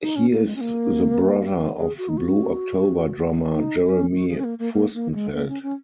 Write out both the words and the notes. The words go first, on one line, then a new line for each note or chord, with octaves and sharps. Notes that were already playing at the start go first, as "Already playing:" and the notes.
He is the brother of Blue October drummer Jeremy Furstenfeld.
D#4
C#4
A#3
G#3
C#4
A#3
G#4
F#4
D#4
F#4
D#4
C#4
F#4
G#4
C#4
A#3
A#3
A#3
A#3
G#3
A#3
C#4
C#4